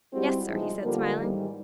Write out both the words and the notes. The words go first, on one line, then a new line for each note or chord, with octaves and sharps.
"Yes, sir," he said smiling.
G3 G#3 C4 E4 F#4 G4
B2 E3 F3 G3 G#3 D#4
D3 F3 G3 A#3
G#2 D#3 E3 G3